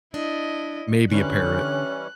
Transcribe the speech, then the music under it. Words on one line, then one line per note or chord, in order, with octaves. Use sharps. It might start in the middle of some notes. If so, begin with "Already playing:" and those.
Maybe a parrot.
D4 E4 D#5
D3 E3 G3 C#4 C#5 F#6